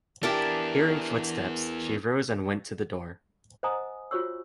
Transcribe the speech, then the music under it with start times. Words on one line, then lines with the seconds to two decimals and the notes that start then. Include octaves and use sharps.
Hearing footsteps, she rose and went to the door.
0.23 B3 D4 E4 G4 A#4 G5 A5
3.63 C5 D#5 F#5 G#5 A#5 D#6
4.11 F4 F#4 C5 C#5 C#6 E6